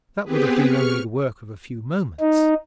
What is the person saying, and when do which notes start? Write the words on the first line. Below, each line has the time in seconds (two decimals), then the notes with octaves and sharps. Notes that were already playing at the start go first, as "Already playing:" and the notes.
That would have been only the work of a few moments.
0.24 B3 C4 G4 G#4 B4
0.64 C#6 F6
2.21 D#4